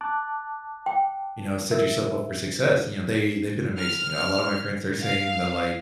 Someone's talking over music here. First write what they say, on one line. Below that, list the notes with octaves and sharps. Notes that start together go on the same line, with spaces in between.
you know, set yourself up for success. You know, they they've been amazing, you know, a lot of my friends are saying that, like,
A5 D6 F#6
G5
A#4 E5
F6
F5